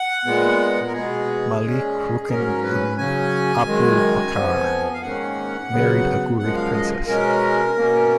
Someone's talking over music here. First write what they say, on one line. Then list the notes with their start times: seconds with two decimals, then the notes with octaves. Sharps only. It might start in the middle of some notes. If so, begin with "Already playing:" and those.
Malik Rukn-uddin Abu Bakr, married a Ghurid princess.
Already playing: F#5
0.25 A#2 G#3 B3
0.87 A#4
0.93 B2 G#3 B3 G#4
1.61 A#2 G#3 C#4
2.23 G#4
2.29 G#2 F#3 C#4 A#4
2.63 B4
2.98 C#3 F#3 C#4 G#5
3.66 F#2 D#3 G#3
4.34 F2 F3 B3
4.94 F5
5.02 G#2 D#3 A#3 C#4 F#5
5.71 C#3 F#3 B3
6.39 F#2 F3 G#3 F#5
6.56 F5
6.73 D#5
7.07 B2 G#3 C#4 A#4
7.76 B2 A#3 C#4